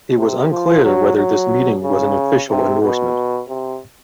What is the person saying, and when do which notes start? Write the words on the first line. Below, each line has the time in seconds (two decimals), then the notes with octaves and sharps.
It was unclear whether this meeting was an official endorsement.
0.17 C3
0.50 F3
0.84 F#3
1.17 F#3
1.83 C#3
2.50 C3
2.82 B2
3.49 C3